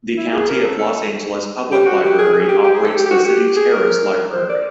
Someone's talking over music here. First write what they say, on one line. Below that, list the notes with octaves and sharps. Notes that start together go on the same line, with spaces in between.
The County of Los Angeles Public Library operates the City Terrace Library.
E4
G#4
A#4
A4
A4
G4
F#4
G4
G#4
G#4
G4
G4
G#4
A4
G4
G4
F#4
G4
G#4
A#4
C5
D5